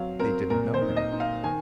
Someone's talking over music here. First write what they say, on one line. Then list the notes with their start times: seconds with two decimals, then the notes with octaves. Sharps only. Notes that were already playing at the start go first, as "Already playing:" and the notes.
They didn't know him....
Already playing: F#3 C4 F5
0.19 C4 A#4
0.50 A#2 A#4
0.74 C5
0.81 D#4
0.96 D#5
1.12 D#4
1.20 F5
1.44 D#3 G#5